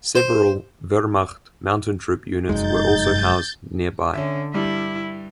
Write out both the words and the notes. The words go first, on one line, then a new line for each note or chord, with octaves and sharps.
Several Wehrmacht mountain troop units were also housed nearby.
C5
F1 F#2 G#3 D#4 G6 A6
D3 C#4 E5
G2 G3 E4